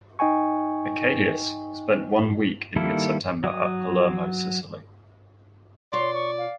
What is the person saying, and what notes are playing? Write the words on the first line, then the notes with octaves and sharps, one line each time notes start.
"Achelous" spent one week in mid-September at Palermo, Sicily.
D#4 D#5 G5 G#5 C#6
D#3 G3 A#3 E4 A4
F#3 D#6
B2 F4 C#5 D5 C6
C#6
F5